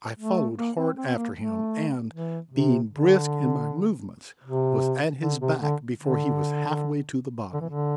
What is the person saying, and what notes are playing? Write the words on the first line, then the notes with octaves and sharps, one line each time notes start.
I followed hard after him, and, being brisk in my movements, was at his back before he was half-way to the bottom.
A3
A#3
C4
C4
A#3
A3
E3
C3
D3
C3
D3
C3
D3
D3
D3
E3
D3